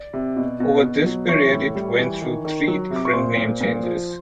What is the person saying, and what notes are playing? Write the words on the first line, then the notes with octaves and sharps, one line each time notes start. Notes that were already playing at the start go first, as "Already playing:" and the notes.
Over this period it went through three different name changes.
Already playing: D5
C3
B2
B2
B2
F#3
E3 C#5 C#6
A2
G3
E3
D#3
D#3
F#3
C3
D6
C#6
A#2 C5 C6
A#2
A#2
F3